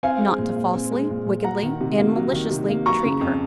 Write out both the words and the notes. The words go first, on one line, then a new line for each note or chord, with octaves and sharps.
Not to Falsely, Wickedly and Maliciously treat her.
C4 F5 G#5
G#3
A#2
A#2
C4
G#3
A#2
A#2
F#3 F#5 A#5
D#3
C3
A#3
F#3
D#3
C3
A#3
F#3 A#5 C#6
C#3
F2